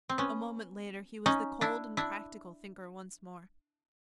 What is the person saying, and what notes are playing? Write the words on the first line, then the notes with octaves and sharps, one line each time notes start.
A moment later he was the cold and practical thinker once more.
C4
B3 C#4
C#4 D#4
D4 E4
D4 E4